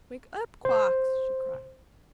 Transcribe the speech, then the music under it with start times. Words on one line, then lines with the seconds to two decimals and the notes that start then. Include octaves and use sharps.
"Wake up, Quox!" she cried.
0.65 C5